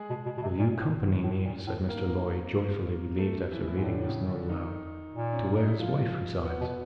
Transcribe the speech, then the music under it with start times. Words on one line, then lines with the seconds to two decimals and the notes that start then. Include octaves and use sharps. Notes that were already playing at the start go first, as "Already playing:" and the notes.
"Will you accompany me," said Mr. Lorry, joyfully relieved after reading this note aloud, "to where his wife resides?"
Already playing: G#3 G#4
0.10 B2
0.25 B2
0.37 B2
0.42 C3
0.58 A#2
0.80 A2
1.02 G#2
1.23 A2
1.45 A#2
1.67 A2
1.88 G#2 A#3 A#4
3.18 A3 A4
3.52 E3 E4
3.68 E3 E4
3.77 G#2
3.84 A2 D3 D4
4.02 D4
4.06 C#3 C#4
4.28 D3 D4
4.49 D#3 D#4
5.14 A#2
5.33 C#4
5.45 D4
5.57 D#4
5.68 E4
5.79 F3 F4
6.45 B3
6.61 B2